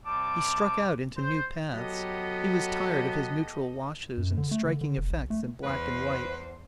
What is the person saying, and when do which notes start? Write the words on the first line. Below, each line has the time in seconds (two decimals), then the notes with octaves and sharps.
He struck out into new paths; he was tired of his neutral washes, and striking effects in black and white.
0.06 C3 G3 A5 D6
1.17 C5
1.73 F#3 B3 G4 A4 D#5
4.18 F#2
4.37 D3
4.51 A3
4.65 D3
4.81 D3
4.97 F1
5.11 A#1
5.30 A3
5.63 E2 B4 C5